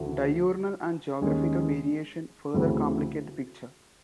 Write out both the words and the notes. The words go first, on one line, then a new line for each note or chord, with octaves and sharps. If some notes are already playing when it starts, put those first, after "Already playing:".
Diurnal and geographical variation further complicate the picture.
Already playing: D2 C#3 E3 A3
D#2 D#3 G#3 C#4
D2 C#3 E3 A3 C4